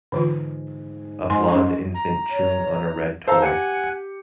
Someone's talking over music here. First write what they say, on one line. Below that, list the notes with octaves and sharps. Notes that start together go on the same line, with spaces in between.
A blond infant chewing on a red toy.
G#2 D3 E3 F4
G#2 G#5 C6
C#4 C6 C#6
A#5
C#5
A4 C5 F5 A#5
G4 F#5 G#5 C#7